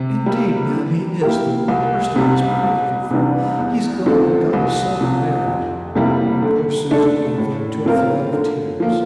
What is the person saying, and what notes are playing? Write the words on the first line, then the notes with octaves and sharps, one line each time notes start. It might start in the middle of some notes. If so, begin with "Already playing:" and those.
'Indeed, ma'am, he is then; the worst of misbehaviour; for he's gone and got hisself married.' And poor Susan gave vent to a flood of tears.
Already playing: C3
G3 A#3
E3
A#3 E4 G4 A#4
C2
C3 G3
C2
C3 E3 G3 D4
E2
D3 F3 A3 C4
C2
C3 F3
F2
C3 G3 A#3 E4
D3
A3 D4 A4
A2
F3 C4 F4 A#4
D3
F3 A#3